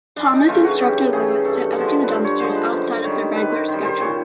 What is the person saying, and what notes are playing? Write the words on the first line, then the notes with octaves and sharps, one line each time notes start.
Thomas instructed Louis to empty the dumpsters outside of their regular schedule.
F#2 D4
D#4
C#3 E3 A3 F4
F#4
F#2 G4
C#3 E3 A3 G#4
G2 A4
D3 F3 G#3
G2 B4 C5
C#5
D3 F3 G#3 C5
B4
F#2 C5
D#3 G3 C#5
F#2 B4
C5
D#3 G3 C5
C5
A#2 C#5